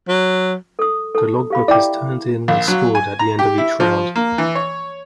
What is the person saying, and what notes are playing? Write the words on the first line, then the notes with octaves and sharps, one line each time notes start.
The logbook is turned in and scored at the end of each round.
F#3
A4 D#6
A4 A5
G4 F5 B5
E4 D5 E5 G5 D6
A#1
F#3
G#5
A#5
G4
E4
F3
A#3
E3
C#5